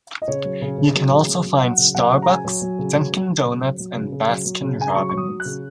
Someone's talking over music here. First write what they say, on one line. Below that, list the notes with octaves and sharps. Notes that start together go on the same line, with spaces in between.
You can also find Starbucks, Dunkin' Donuts, and Baskin Robbins.
D#5
C#3 C#5
F#3
C#3
C#3
F#3
C#3
F#3
F#3
F#3 F#5
C#3
F#3 F#5
C#3
A#5
F#3 G#5
F#3
F#3
C#3
F#3
F#3
F#3
C#3
F#3
F#3
C#3
C#3
F#3
F#3
C#3
C#3 G#5
A#5
F#3 C#6
F#3 C#6
D#6
F#3
F#6
C#3